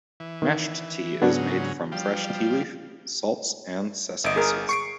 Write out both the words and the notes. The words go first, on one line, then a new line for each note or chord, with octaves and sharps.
Mashed Tea is made from fresh tea leaf, salts, and sesame seeds.
E3
D#3
G#2 C#3 F#3 B3 D4 F#4
F3 G3
G1 D#5 E5 D7
G#4 A#4
C#6 C7 D7